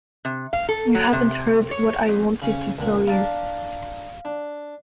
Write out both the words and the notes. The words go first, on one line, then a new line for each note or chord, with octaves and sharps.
You haven't heard what I wanted to tell you.
C3
F5
A4
F#3
C3
C#5
F2
C#3 C#4
C#2 A#2
D4 F5 A5 A#5
D4